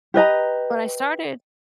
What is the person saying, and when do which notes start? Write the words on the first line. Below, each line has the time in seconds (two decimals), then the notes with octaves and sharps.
but I started
0.14 G4 B4 D#5 A#5